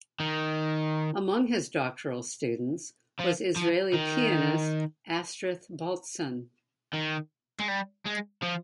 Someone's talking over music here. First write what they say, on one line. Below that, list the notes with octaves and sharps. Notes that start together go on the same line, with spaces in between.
Among his doctoral students was Israeli pianist Astrith Baltsan.
D#3
F3
F3
D#3
D#3
G#3
G3
G#3
F3